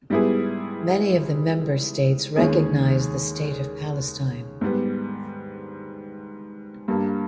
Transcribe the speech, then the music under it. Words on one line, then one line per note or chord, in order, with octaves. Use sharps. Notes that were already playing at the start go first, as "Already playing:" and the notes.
Many of the member states recognise the State of Palestine.
G#2 G3 B3 E4 G#4
D#2 D#3 G#3 C#4 G#4
G#2 G3 B3
G2 G3 A#3